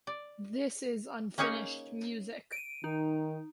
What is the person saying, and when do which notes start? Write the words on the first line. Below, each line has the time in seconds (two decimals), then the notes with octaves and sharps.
This is Unfinished Music.
0.07 D5
1.38 A#3 C#4 D#4 G#4 C#5
2.52 D7 D#7
2.84 D#3 D#4